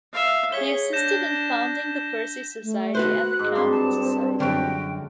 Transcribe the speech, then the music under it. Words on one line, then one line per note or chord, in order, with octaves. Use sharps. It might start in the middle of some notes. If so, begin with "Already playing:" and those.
He assisted in founding the Percy Society and the Camden Society.
E5 F5
G#4 C#5 B6 G7
D4 G6 A#6 E7
A3
F#4 B4 C5 F#6
G#2 D#5
G2 C4 C6
A5
F#2 D3 F#4 F5 G5